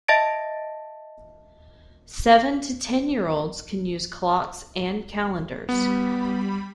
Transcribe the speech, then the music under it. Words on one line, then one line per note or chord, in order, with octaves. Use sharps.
Seven- to ten-year-olds can use clocks and calendars.
D#5 E5 A5 A6 A#6 D7
G3 B3 B5